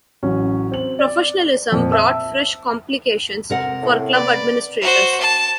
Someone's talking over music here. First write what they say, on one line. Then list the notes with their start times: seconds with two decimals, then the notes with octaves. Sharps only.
Professionalism brought fresh complications for club administrators.
0.23 A1 F#3 C#4
0.71 C4 F#7
0.99 D5
1.72 F2 A#2
1.92 E5 A5 E6
3.50 C3 A#4 F#5
3.82 A2
4.13 B4 D5
4.81 F#4 C5
5.20 A5